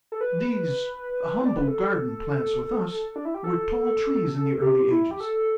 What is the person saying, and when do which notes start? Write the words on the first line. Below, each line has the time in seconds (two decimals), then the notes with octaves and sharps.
These, humble garden plants with us, were tall trees in the early ages.
0.12 A4
0.21 B4
1.46 D5
1.57 B4
1.68 A4
3.16 D4
3.25 E4
3.34 G4
3.44 A4
4.62 G4
4.91 E4
5.11 G4
5.20 A4